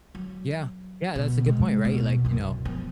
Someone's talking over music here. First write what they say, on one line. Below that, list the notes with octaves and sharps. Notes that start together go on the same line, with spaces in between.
Yeah, yeah, that's a good point, right, like, you know,
F#3
B2
C3 G#3
D#2 B2
C2 F#2
F3 B3